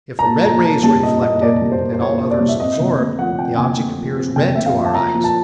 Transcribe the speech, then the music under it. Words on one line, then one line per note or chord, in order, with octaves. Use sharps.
If the red rays are reflected and all others absorbed, the object appears red to our eyes.
A#5
A#2 A5
A#2 A#5
A#3 A5
G3 A5
A#2 D#5
A#2 D#5
A#3 D5
G3
C5
A#2
C5
A#2 C#5
A#3
D5
G3
E5
C4 D#5
D3
A3
F3 F#5
C4 G5
D3 G#5
A3
F3
C4
D3 G5
A3 E5
F5
F3
A5
F3 A#5
F3
A5